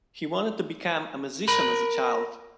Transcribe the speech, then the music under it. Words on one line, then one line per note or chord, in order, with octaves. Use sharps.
He wanted to become a musician as a child.
A#4 B5